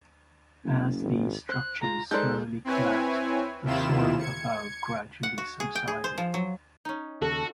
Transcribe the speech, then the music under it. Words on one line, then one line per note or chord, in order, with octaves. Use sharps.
As these structures slowly collapsed, the soil above gradually subsided.
F#1
G#1
C5 F#6
G#3 F4 A#5
G#3 D#4 A4 A#4 C5 D5 F#6 G6
C4 E4 B4 C#5 G#5
D#2 C3 D#3 E4 F4 E7
G#6 C#7
F#5
F#4
G#4
G5
G#4
C5
F3
F#3
C#4 D#4
D#2 C#3 F#4 A4